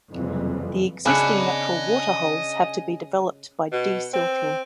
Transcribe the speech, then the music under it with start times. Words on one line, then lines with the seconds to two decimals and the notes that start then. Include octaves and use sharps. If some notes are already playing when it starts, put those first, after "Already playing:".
The existing natural water holes have to be developed by desilting.
0.11 F#1 F2 C3 E3 F#3 G3
1.06 C#3 D4 D#5 G#5 B5 F#6 C#7
3.72 B2
4.14 C4